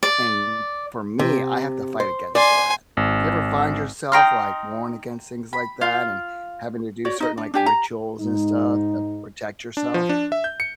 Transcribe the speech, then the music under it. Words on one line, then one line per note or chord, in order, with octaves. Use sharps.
And for me, I have to fight against that. Do you ever find yourself, like, warned against things like that and having to do certain, like, rituals and stuff to protect yourself?
D5
C3
C5
D5 G#5 C6
G#1
D#4 G5 A#5 C6 F6
B5
F4 F5
F#4 C#5 D5
D#4 D#5
D4
D4 G4 G#5
A#5
G#2 D#4
D4
F3
D4
E5
G6
C#7